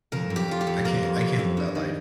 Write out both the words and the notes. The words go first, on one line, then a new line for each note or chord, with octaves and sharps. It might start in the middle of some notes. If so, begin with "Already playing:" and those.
Mm-mm, I can't I can't live that life.
F2 A#4
F2
G4
F2 F4
G4
F2
A#3 A#4
F2
F2
F2
G2
D#3